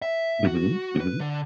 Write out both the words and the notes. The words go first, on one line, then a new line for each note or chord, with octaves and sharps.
Mhm. Mhm.
E5
F#4
B4
D3